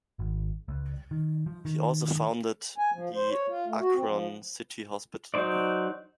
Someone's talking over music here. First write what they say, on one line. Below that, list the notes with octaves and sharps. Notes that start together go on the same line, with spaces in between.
He also founded the Akron City Hospital.
G#1
C#2
D#3
F3
D#3
G#5
F3
C5
C#5
F4
A3
F#4
C4
F3
F#3 D#4 C5 D5